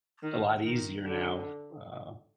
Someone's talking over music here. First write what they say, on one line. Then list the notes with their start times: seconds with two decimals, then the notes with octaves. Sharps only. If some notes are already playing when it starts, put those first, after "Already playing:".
a lot easier now, uh,
0.23 D#3
0.64 D#3
1.06 D3